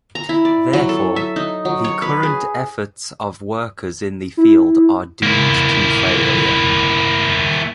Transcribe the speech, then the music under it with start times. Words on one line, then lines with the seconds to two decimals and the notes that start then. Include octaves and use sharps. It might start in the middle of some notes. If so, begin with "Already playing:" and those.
Therefore, the current efforts of workers in the field are doomed to failure.
0.15 A#5
0.29 E4
0.45 D5
0.73 F#3
0.89 A4
1.16 E5
1.36 D#4
1.65 F#3
1.84 C#5
2.02 B4
2.23 G#4
4.37 E4
5.23 A#3 E4